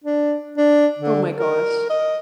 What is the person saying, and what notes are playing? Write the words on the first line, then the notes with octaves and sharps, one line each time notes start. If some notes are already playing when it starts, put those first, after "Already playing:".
Oh my gosh.
D4
D4
D3
A#4
D#5